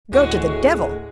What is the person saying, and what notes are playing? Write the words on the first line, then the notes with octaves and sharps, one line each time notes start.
Go to the devil!
D2 A2 G#3 F#4